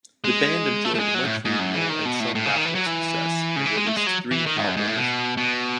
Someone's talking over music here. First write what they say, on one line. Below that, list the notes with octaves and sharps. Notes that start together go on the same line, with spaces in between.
The band enjoyed much regional and some national success, and released three albums.
G#3
A3
A3
G#3
F#3
A2
G#2
F#2
E3
D#3
B2
A2
A2
C#3
D#3
E3
F#3
E3
C#3
E3
G#3
A3
G#3
F#3
E3
D#3
G#2
F#2
G#2
A2
B2
B2